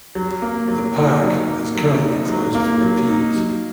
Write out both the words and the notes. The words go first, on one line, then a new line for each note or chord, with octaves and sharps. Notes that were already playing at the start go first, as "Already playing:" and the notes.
The park is currently closed for repairs.
F#3
A#3
F#3
D#4
F#3
A#3
F#3
D#4
F#3
A#3
F#3
D#4
F#3